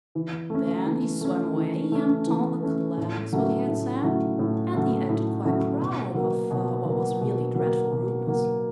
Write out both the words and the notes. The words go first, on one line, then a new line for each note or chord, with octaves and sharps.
Then he swam away and told the Clams what he had said, and he acted quite proud of what was really dreadful rudeness.
E3
A3 C#4
E3
A3 C#4
E3
A3 C#4
E3
A3 C#4
A2
F#3 A3 C#4 E4
A2
F#3 A3 C#4 E4
A2
F#3 A3 C#4 E4
A2
F#3 A3 C#4 E4
B2
F#3 A#3
B2
F#3 A#3
B2
F#3 A#3
B2
F#3 A#3